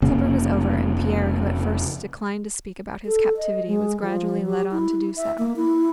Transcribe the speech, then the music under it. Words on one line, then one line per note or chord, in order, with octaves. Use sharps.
Supper was over, and Pierre who at first declined to speak about his captivity was gradually led on to do so.
F1 C#3 A#3
A4
D#5
G#3
F3
G4
E4
E5
A#3
E4